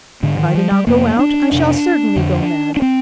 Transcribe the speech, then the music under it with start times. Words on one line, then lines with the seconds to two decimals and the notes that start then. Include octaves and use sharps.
If I do not go out, I shall certainly go mad.
0.23 G#2 D3
0.39 D#3
0.55 F3
0.72 G3
0.87 F2 C3 A#3
1.19 D4
1.52 F2 C3 D4
2.16 F2 D3
2.77 D4
2.82 C4